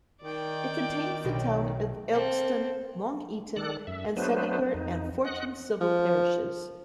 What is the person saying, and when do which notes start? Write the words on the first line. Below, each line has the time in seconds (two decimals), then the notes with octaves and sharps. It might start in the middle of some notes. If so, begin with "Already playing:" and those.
It contains the towns of Ilkeston, Long Eaton and Sandiacre and fourteen civil parishes.
0.23 D#3 D5 G5
1.24 B1 B2
2.11 C4 A4
3.56 D#3 A4 D5 F#6
3.87 F#2 E5
4.17 F#3 A3 B3 D4 B4 C5
4.74 F2 D#4
5.25 D#5 F#5 F#6
5.81 F3